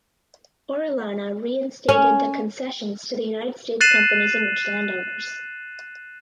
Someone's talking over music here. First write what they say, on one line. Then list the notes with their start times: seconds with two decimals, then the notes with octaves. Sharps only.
Orellana reinstated the concessions to the United States companies and rich landowners.
1.89 C#4
3.81 F#6 A6 C7 D#7 E7 F#7